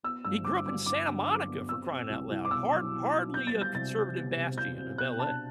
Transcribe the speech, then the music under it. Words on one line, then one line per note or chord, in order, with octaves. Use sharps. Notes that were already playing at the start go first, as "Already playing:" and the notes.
He grew up in Santa Monica for crying out loud. Hard hardly a conservative bastion of LA.
B3 E6
G2 E6
D3 D6
G2 D6
G2 D6
D3
F#3
B3
C4 E6
C4
C2
C2
D6
B2 E6
F#3
B2
F#3
B3 G6
A6
G3
G6
C3 A6
G3
B3
C3
C3 G6
C3
B2 F#6
D4 A5